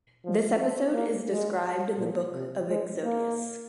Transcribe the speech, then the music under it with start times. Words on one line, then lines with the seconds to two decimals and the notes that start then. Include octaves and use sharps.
This episode is described in the Book of Exodus.
0.25 F3
0.60 C4
0.94 A#3
1.29 G#3
1.99 A#2
2.34 C3
2.69 G#3
3.04 A#3